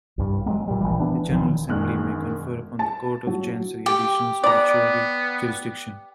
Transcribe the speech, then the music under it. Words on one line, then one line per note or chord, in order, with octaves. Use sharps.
The General Assembly may confer upon the Court of Chancery additional statutory jurisdiction.
C2 G2 G3
F#3 G#3 A#3
A#2 G3
A#1 D#2 E3
E3 B3 D4
D#1 D#3 F3
E1 F#2 D#3 G#3 F6 F#6
A5
F#3
G4
B3 D5 A#5